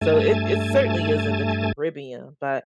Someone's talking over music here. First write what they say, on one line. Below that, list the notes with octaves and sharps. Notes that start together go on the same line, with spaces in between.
So it it certainly isn't the Caribbean, but
G2 A3 G#5 A5